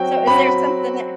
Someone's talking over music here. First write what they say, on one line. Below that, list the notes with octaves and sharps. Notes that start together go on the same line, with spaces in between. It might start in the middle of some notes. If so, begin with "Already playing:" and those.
So, is there something that
Already playing: F#3 C4 F#4 G5
F#3 C4 F#4 B5